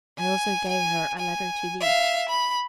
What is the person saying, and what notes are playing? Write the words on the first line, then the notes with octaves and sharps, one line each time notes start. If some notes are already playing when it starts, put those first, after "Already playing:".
I also gave her a letter to thee.
G#5
G#5
G#5
E5 F5
B5